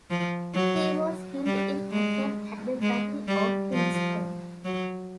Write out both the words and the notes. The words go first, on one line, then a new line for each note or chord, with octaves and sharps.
He was killed in action at the Battle of Princeton.
F3
F#3
G3
G#3
G#3
G3
F3
F#3